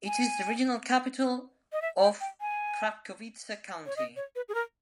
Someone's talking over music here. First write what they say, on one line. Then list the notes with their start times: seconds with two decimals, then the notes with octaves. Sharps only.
It is the regional capital of Krapkowice County.
0.07 G#5
1.73 D#5
1.82 E5
2.01 G5
2.21 G5
2.41 G#5
3.86 C#5
3.96 D#5
4.16 C#5
4.36 B4
4.49 G#4
4.55 A#4